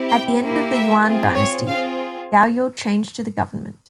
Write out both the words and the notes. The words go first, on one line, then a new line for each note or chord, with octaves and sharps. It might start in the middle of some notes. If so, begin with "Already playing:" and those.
At the end of the Yuan Dynasty, Gaoyou changed to the government.
Already playing: C4 E4 G4
G5
A#3 E4 G4
E5
C4 F4 G#4
C#5
C4 F4 G#4 F5